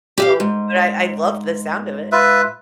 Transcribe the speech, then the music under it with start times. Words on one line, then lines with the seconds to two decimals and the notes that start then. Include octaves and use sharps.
No, but I I love the sound of it.
0.18 G4 E5 F5
0.40 G#2
2.12 F4 B4 E5